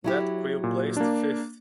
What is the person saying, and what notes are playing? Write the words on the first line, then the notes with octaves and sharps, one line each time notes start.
That crew placed fifth.
F#3 E4 G4
A#2
A#3 D4